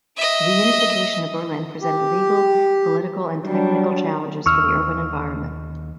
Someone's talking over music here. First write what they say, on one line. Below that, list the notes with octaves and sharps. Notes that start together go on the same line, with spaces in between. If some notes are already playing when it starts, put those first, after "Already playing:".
The reunification of Berlin presented legal, political and technical challenges for the urban environment.
D#5 E5
G4
F#3 G3 D4
D#2 C#6 E6 F6